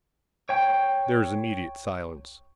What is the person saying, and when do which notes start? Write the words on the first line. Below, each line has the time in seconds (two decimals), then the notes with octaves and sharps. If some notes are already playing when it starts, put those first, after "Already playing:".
There was immediate silence.
0.49 C#5 G5